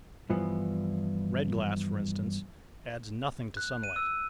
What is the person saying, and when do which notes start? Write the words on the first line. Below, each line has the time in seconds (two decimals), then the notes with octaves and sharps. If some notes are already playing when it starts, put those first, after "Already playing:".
Red glass for instance adds nothing to sunlight.
0.30 G2 E3 F3 B3
3.57 F#6
3.83 D#7
3.96 E6